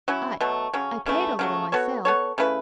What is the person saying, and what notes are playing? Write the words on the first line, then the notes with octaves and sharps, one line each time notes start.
I--I paint a little myself.'
F#3 C#4 E4
B2 F#3 A3
C#3 F#3 C#4
C#3 E3 A3
C#3 F#3 A3
B3 F#4 A4 C#5
B3 A4 C#5
C#3 A3 E4 B4